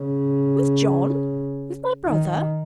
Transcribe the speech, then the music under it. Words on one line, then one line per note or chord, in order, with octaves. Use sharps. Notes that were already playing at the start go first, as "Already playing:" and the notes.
'With John! with my brother!
Already playing: C#3
D#3